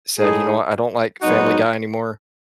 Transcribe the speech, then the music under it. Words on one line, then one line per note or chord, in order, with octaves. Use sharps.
said, "You know what? I don't like Family Guy anymore."
A2 G#3 D#4 G#4
G#2 F#3 B3 D#4 F#4